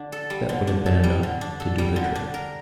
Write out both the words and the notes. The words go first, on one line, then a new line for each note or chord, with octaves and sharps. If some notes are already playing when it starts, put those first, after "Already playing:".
That would have been enough to do the trick.
Already playing: D3 D4
A4
G3
D3
D4
A4
G3
D3
D4
A4
G3
D3
D4
A#4